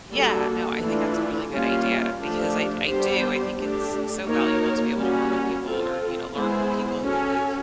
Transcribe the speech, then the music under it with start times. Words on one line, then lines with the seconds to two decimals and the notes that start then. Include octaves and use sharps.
Yeah, no, I think that's a really good idea because I d I do, I think it's so valuable to be able to work with people or, you know, learn from people who have
0.12 G3 A#3 D4 F#4 A4
0.81 E3 A3 D4 F4
1.50 G3 A#3 C#4 F4
2.19 F3 A3 D4 G4
2.88 G3 B3 D4 G4 C5
3.57 A3 D4 G4
4.26 A#3 D#4 F#4 A#4 C#5
4.95 G3 A#3 C#4 F#4
5.64 C4 F4 A4
6.33 G#3 B3 E4 G#4 C5
7.01 C#4 F#4 A4